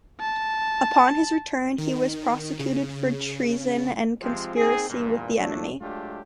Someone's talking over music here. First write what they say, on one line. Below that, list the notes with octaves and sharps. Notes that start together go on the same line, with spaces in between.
Upon his return, he was prosecuted for treason and conspiracy with the enemy.
A5
D#3
C#3
C3 F3 G#3 C4 F4 G4
A#3 C4 D#4 G#4
A#1 E2 G2 A#2
D3 F#3 A3 D4
F#3 G#3 A3 D4 F4 G4